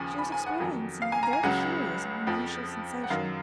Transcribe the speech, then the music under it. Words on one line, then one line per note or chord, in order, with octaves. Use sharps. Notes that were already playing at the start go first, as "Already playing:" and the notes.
She was experiencing a very curious and unusual sensation.
Already playing: D#2 C#3 F3 G#5
B5
G#5
F#5
F2 D#3 F#3
F5
G#5
A#5
G#5
C#2 C#3 F#3 F#5
F2 F3
F#5
F#2 D#3 F#3 F5